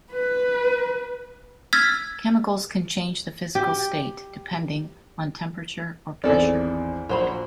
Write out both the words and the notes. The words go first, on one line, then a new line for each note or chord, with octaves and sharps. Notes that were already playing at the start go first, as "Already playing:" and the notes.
Chemicals can change the physical state depending on temperature or pressure.
B4
E6 F6 G#6 A6 B6
G4 G5
G#1 E2 G#4 A4 D5
A#1 F#3 C5 B5